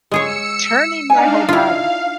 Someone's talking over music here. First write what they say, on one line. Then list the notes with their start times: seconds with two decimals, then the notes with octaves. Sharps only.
turning my whole body?
0.11 G#3 G#4 C#5 E6 C#7
1.10 D4 D#4 F5 G#5
1.49 E4 F4 F5